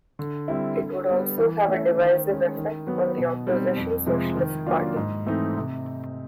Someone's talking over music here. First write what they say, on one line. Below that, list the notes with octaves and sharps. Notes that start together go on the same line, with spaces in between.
It would also have a divisive effect on the opposition Socialist Party.
D3
G3 C4 E4
D3
G3 B3
E3
A3 C#4 E4
D#3
G#3 C#4
D#3
F#3 B3
B2
G3 C4 D#4
F2
C3 F3 G#3
D#3
F#3 A#3 D4 F4
G#2
E3 A3 C4 D#4
C3